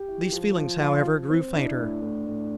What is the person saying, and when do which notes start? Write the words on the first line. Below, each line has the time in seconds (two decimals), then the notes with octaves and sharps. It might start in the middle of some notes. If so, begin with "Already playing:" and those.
These feelings, however, grew fainter.
Already playing: G4
0.08 E4
0.32 F3
0.57 F3
0.81 F3 F4
1.05 F3
1.30 C4
1.54 D4 E4
1.78 A2
2.02 A2
2.26 A2